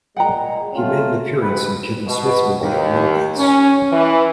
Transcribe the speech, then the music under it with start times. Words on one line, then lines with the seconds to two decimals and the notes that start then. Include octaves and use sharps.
He made an appearance in Kevin Smith's movie "Mallrats".
0.16 A#2 G#3 F#5 G5 A#5
0.74 A3 C#4 F4
1.41 G#2 G4 B4
2.06 B2
2.60 D#2
3.37 C#4
3.93 E3